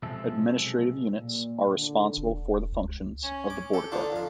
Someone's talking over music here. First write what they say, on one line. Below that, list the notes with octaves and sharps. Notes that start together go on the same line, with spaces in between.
Administrative units are responsible for the functions of the Border Guard.
B1 C3 F3 G#3 A4 E5
A#2
D3
D#1
C#2
C#4
D6
C3 G4 A4
D3 D4 D#4 F4
F2 F5